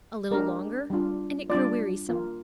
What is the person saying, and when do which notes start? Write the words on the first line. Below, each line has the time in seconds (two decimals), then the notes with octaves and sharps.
A little longer, and it grew wearisome.
0.31 G#3 D4 G4 A#4
0.90 G3 D4 F4
1.50 G3 D4 F4 D5
2.09 A#3 F4